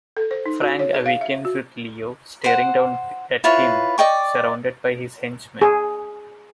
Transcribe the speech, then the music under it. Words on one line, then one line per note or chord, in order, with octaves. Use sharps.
Frank awakens with Leo staring down at him, surrounded by his henchmen.
A4
C5
D#4
F#4
C#5
G#4
F5
E5
F#4
C5 F#5
E4 F4 B4 C#5
D5 D#5 G5 C#6
G#4